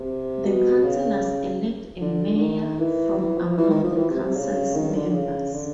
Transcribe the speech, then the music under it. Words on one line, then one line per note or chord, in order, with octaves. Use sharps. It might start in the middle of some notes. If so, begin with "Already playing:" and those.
The councillors elect a mayor from among the council's members.
Already playing: C3
B2
C#3
D3
D3
D#3
E3
E3
F3
E3
D#3
F3
E3
C3
C3
C#3
D#3
D3
D3
C#3
D3